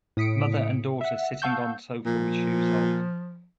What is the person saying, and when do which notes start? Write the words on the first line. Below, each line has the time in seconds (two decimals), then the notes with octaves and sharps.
Mother and daughter sitting on sofa with shoes off.
0.17 A2 D#6 B6 C#7 D7
1.01 E5 F#5
1.42 F5 F#5 A5 C#6 E6 G6
2.06 A#2 F3